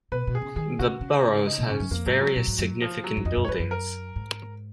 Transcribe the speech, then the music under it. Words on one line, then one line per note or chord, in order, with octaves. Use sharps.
The Burroughs has various significant buildings.
B2 B4
B2
G#4
C#3
D#3 G#4
C#3 F#4
C#3
D#4
A#2
G#2 C#4
F#2
F2 A#3
G#2 F#3
F#3
A#2 F#3
G#2
F#2
F3
F#3
F#2
F2 D#4
F#2
C#5
F2 B4
G#2
F#2
A#4
G#2